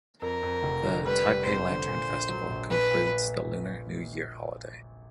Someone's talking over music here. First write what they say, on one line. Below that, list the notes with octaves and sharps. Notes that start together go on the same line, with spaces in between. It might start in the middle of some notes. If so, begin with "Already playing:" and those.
The Taipei Lantern Festival concludes the Lunar New Year holiday.
F2 A#4
F2
F1
D3
G3 B4
G3
F2 C5
D3
A#2
A#1
F#3
A#1
A#2 B4
A#2